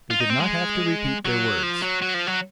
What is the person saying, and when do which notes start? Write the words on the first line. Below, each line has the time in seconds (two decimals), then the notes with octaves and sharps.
They did not have to repeat their words.
0.10 F4
0.20 D#4
0.30 C4
0.40 G#3
1.25 F#3
1.63 F3
1.82 F#3
2.02 F#3
2.14 F3
2.27 F#3